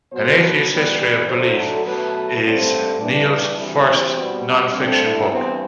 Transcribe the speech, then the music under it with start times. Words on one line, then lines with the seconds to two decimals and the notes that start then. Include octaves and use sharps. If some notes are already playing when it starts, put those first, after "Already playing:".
"An Atheist's History of Belief" is Kneale's first nonfiction book.
0.12 B2 F#3 B3 C5
0.40 B4
0.69 E2 B2 G3 B3 B4
0.98 B4
1.27 D2 D3 F#3 C5
1.56 A4
1.84 B2 F#3 A3 B4
2.43 G2 D3 A3 C4
3.00 G2 E3 G3 D4
3.29 D4
3.57 D2 C3 E3 G3 E4
3.87 C4
4.14 B2 G3 B3
4.44 B3
4.72 G2 D3 A3 C4
5.02 E4
5.30 G2 E3 B3 C4